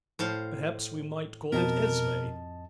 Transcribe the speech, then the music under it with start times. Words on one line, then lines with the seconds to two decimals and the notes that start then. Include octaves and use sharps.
Perhaps we might call it Esme.
0.19 A2 C5 F5
1.52 F2 B2 A#4 D#5 A5